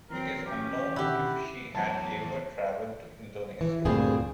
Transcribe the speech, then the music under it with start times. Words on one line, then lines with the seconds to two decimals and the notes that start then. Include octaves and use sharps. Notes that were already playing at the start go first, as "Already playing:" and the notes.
It is unknown if she had ever traveled to Indonesia.
0.10 E3 F#3 C4 A#4
0.46 C#4 G4
0.96 B2 D3 D#3 E4 G4 F#5
1.75 E2 E3 F#3 A5
3.61 E3
3.85 D2 G2 A#2 C4 G#4 C5